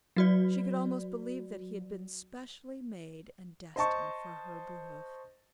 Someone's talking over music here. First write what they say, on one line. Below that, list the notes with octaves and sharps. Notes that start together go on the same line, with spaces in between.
She could almost believe that he had been specially made and destined for her behoof.
F#3 F#4 D5
C5 D#5 A5 C#6